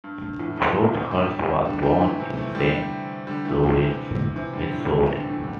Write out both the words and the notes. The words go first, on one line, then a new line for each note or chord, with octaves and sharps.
Broadhurst was born in Saint Louis, Missouri.
G2
G2
E2 A2
E2 A2
A2 D3
C3 E3
D3 G3
D3 G3
D3 G3
E3 A3
C3 E3
E3 A3
D3 G3
D3 G3
E3 A3
D3 G3
C3 E3
C3 E3
D3 G3
A2 D3
C3 E3
C3 E3
D3 G3
E3 A3
D3 G3